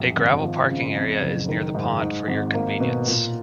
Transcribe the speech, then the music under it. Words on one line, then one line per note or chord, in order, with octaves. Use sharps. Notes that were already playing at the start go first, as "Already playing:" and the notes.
A gravel parking area is near the pond for your convenience.
Already playing: A#1 F#2
G#1
F3
C#3
F2
F#1
D#3
G#2
G#2
G#1
A#3
B2
A#2